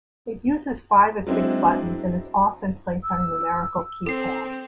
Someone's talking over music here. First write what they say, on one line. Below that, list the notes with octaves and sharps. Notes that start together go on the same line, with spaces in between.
It uses five or six buttons, and is often placed on a numerical keypad.
F#3 G#3 C4 D4 E4
E6
C4 A4 C7